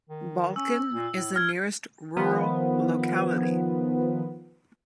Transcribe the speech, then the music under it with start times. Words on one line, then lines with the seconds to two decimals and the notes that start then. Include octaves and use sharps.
Balkan is the nearest rural locality.
0.09 D#3
0.56 C#4 E6
0.94 A#2
1.14 A2
1.36 F6 G#6
2.16 D#3 F3 B3